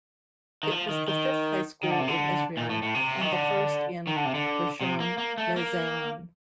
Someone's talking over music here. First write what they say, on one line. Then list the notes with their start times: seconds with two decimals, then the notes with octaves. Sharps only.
It was the fifth high school in Israel and the first in Rishon LeZion.
0.63 D#3
0.71 F3
0.89 D#3
1.08 D#3
1.83 D#3
1.90 D3
1.99 C3
2.08 D3
2.57 A#2
2.69 A2
2.82 A2
2.95 C3
3.21 D#3
3.32 D3
4.07 D#3
4.16 D3
4.25 C3
4.35 D3
4.81 C3
5.00 A#3
5.18 A#3
5.38 A3
5.56 A#3